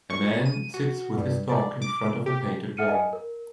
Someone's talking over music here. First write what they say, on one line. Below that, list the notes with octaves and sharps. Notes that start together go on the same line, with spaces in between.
A man sits with his dog in front of a painted wall.
C#6
D#7
F#4
G2
D5
D6
G4
A4 E5 F#5 F6 C#7 D#7
D#5 G#5
A#4